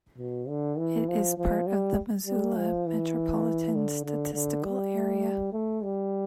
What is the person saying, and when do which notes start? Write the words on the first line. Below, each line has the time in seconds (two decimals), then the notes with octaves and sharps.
It is part of the Missoula Metropolitan Statistical Area.
0.18 B2
0.48 D3
0.78 E3
1.08 F3
1.38 F3
1.67 G3
2.27 G3
2.57 F3
2.86 E3
3.75 D3
4.05 D3
4.34 D3
4.64 G3
5.53 A3
5.82 G3